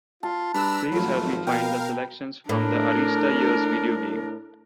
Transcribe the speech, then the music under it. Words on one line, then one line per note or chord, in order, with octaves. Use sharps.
Please help me find the Selections from the Arista Years video game.
F4 A5
G3 D4 B4 A#5 E6
G#1 F3 F#3 A3
B2 A#4 F5 G5
A2 D4 A#4